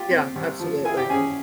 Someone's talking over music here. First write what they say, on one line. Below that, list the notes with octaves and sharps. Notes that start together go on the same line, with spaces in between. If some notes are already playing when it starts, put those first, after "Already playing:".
Yeah, absolutely.
Already playing: F4 G4 G5
C4
C2
F3
E4 G#4 G#5
G4 G5
C#4 G#4 G#5